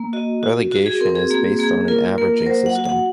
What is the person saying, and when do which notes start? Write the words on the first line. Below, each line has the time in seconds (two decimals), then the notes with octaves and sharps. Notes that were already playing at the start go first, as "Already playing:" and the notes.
Relegation is based on an averaging system.
Already playing: A#3
0.13 F#4 D#5
0.43 F#4
0.72 F#4
0.86 G#4
1.01 C4 A#4
1.15 G#4
1.30 A#3 G#4
1.59 A#3 G#4
1.88 F4 A#4
2.18 A#3 A#4
2.37 A#4
2.46 F#3 C5
2.66 F#5
2.76 F#4
2.85 F#5